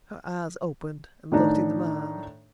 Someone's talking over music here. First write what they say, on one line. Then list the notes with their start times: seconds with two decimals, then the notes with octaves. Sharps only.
Her eyes opened and looked into mine.
1.32 A2 D#3 D4 D#4